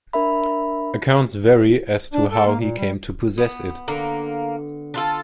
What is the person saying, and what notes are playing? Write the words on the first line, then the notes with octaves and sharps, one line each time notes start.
Accounts vary as to how he came to possess it.
D4 A#4 E5 B5
D4
A4
A#3
A#2
G3
B3
D3 A#3
D4 F4 A4